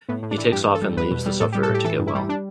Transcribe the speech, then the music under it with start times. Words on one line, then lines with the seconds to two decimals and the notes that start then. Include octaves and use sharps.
He takes off and leaves the sufferer to get well.
0.09 A2 B3
0.23 A2
0.31 D4
0.37 E3
0.52 G2 G4
0.67 G2
0.75 A4
0.82 G3
0.97 E2 B4
1.11 B2
1.26 G3
1.40 A2 A4
1.52 G4
1.55 G3
1.63 A4
1.70 A2 G4
1.85 E3 A4
1.99 G2
2.07 E4
2.15 G3
2.29 D4